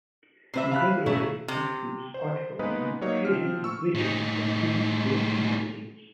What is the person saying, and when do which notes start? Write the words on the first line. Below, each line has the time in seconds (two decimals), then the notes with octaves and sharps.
He regularly contributes articles on training and racing for endurance sports magazines.
0.54 C3 E3 C4 E5 C7
0.71 F5 B5 F#6
1.06 G#2 B2 F#3 A3 E4 G#4
1.48 C3
2.14 C5
2.59 G#3 A#3 B3 D#4 B4 D#5
3.01 F#3 A#3 D#4 F#4 C#5 D#5
3.25 F3 C4 F6
3.64 C#6 E6
3.95 A2 D#4